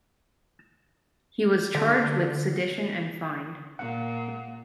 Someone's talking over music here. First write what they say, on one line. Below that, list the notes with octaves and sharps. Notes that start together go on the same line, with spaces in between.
He was charged with sedition and fined.
D3
A#2 F#5